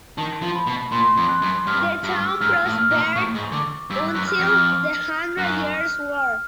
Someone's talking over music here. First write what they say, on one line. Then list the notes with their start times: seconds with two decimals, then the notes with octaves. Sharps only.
The town prospered until the Hundred Years' War.
0.17 D#3 A5
0.42 F3
0.55 B5
0.67 B2
0.92 A#2 C6
1.17 F2
1.29 F#6
1.42 F#2
1.66 G2 F6
2.03 G2
2.22 E6
2.41 G#2 F6
2.65 A2
2.79 F6
2.90 A#2
3.15 A2 C#6
3.34 G#2
3.52 D3 D6
3.90 G2 E6
4.08 F#6
4.15 F#2
4.27 F6
4.40 F2
4.46 F6
5.38 F#2 F#6
5.75 F6
6.13 F6